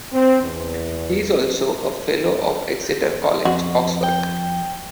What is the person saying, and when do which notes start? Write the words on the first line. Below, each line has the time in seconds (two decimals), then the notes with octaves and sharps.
He is also a fellow of Exeter College, Oxford.
0.12 C4
0.43 E2
3.45 F2 F#4
4.03 G5